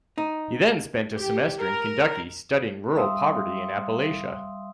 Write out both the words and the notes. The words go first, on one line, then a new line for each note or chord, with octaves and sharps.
He then spent a semester in Kentucky studying rural poverty in Appalachia.
D#4
G4
A#4
G3 E5 F5 C6 D#6 E6